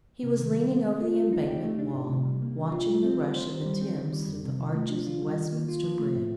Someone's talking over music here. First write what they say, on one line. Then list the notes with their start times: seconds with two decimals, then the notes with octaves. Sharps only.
He was leaning over the Embankment wall, watching the rush of the Thames through the arches of Westminster Bridge.
0.23 C3
0.39 D#3
0.54 G3
0.70 G3
0.85 C4
1.01 F4
1.17 A3
1.33 D#4
1.48 G4
1.64 A3
1.79 D4
1.95 A2
2.10 C3
2.25 G3
2.42 A#3
2.57 D4
2.72 F4
2.88 G3
3.04 C4
3.20 G4
3.35 C5
3.50 D#3
3.66 G3
3.81 C4
3.97 D#3
4.13 G3
4.28 F2
4.44 C3
4.59 F3
4.75 A3
4.90 D4
5.07 F4
5.22 G3
5.37 D#3
5.52 A#3
5.69 F4
5.84 F3
6.00 A3
6.15 A2